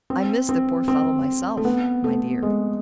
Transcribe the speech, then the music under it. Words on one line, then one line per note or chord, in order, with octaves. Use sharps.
I miss the poor fellow myself, my dear.
C4
C4
C4
A3
B3
A3
G#3